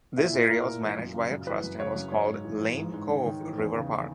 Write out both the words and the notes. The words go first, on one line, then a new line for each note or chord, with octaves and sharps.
This area was managed by a trust and was called Lane Cove River Park.
A#2 E4
A#2
A#2 A#4
A#2
E3
F#2
C#3
F#2
E3 B4
F#2
C#3 C#5
F#2
G#2 C#5
G#2
E3
E3
G#2
G#2
D#3
D#3
E3
E2
C#3